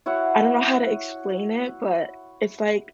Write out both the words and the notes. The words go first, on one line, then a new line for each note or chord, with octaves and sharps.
I don't know how to explain it, but it's like
E4 F#4 C#5 F#5